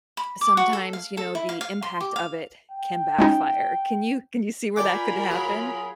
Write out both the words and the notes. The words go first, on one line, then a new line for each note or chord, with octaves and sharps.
sometimes, you know, the impact of it can backfire. Can you can you see where that could happen?
B5
D6
F#4
A4
F5
A4
E4
F5
F5
C6
G4
F5
G5
G#3 C#4 D#4
F4 A#4 D5 G5 G#5 B5 D6
F#3 G#4